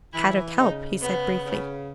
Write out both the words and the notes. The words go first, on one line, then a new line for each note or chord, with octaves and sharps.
"Kadok help," he said briefly.
E3 E4
C#3 D#4
C#3 B3
C#3